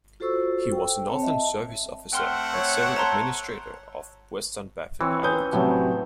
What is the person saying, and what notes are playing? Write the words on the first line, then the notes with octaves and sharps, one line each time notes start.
He was a northern service officer and civil administrator of western Baffin Island.
F4 F#4 A4 C5 C#6 E6
G5
C4 C#5 A5
D#5 E5 A5
A3 C4 F#5 G5 C6 F6
C#5
A5 A#5 C6
E3 C4 C#5
C#4 B4 C5 D#6 G6
A2 C3 F#3